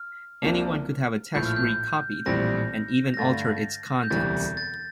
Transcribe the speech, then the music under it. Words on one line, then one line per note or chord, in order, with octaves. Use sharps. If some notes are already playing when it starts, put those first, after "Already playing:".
Anyone could have a text recopied, and even alter its contents.
Already playing: F6
C2 C3 F3 A#3 D4
A#1 A2 F3 G6
F6
G6
A#1 A2 E3 G3 C4 A#6
A#6
G2 D3 A3 A6
G6
E1 D2 C3 E3 G3 A6
A6